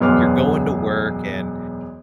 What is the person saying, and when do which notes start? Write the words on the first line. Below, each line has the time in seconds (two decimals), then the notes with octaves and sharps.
you're going to work and,
0.01 E1 F#2 B3 C6 D6 F6